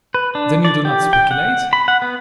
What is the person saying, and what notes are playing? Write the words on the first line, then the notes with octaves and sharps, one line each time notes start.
"Then you do not speculate?"
B4
D4
D5
G4
G5
F#5
B5
F#5
B3